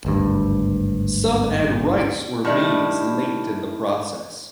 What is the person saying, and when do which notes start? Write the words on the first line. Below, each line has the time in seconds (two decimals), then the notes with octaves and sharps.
Some add rice or maize late in the process.
0.05 G#1 D2 G2
2.45 A2 D#3 G3 D4 E4